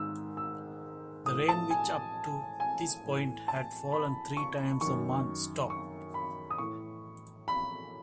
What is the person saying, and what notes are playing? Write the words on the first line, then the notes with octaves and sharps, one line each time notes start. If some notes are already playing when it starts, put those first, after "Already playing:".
The rain which, up to this point, had fallen three times a month, stopped.
Already playing: G#2 D#3 E6
E6
A2 E3 D#6
A5
G#5
G#5
A2 E3
A5
B5
C#6
F#2 D#3 C#6
C#6
B5
D#6
A2 E3 C#6
B5